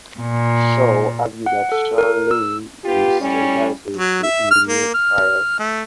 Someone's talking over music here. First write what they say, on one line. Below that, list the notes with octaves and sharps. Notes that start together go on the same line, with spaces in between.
Shaw argued that Shanley is entitled to a new trial.
A#2
F#5
A4
A#4
E6
B3 F4 G4
A2 G3 C#4
F#3
E5
F6
A#3
F6
A3